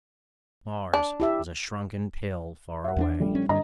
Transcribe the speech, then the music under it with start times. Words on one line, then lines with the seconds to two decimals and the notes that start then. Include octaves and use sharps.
Mars was a shrunken pill far away.
0.94 D4
1.20 E4 G4 E5
2.84 E5 F#5
2.97 E2 B3 D4
3.20 A#1 G3 A3
3.35 C#4
3.49 G2 D3 D#5 A#5